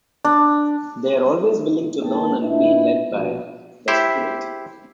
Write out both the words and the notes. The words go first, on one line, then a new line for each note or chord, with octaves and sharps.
They are always willing to learn and be led by "The Spirit".
D4
A#3 D#4 E4 B4 G5 A5
A#2 D4 E4 B4 D#5 E5
A#1 B2
E4 G4 C5 E5